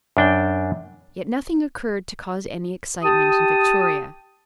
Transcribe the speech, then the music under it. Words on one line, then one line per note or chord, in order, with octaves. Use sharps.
Yet nothing occurred to cause any excitement in Victoria.
F#2 D4 G5
G4 A5 D#6